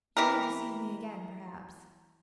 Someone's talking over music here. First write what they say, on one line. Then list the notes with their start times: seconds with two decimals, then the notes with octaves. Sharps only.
You may deceive me again, perhaps.
0.17 E3 G4 A#4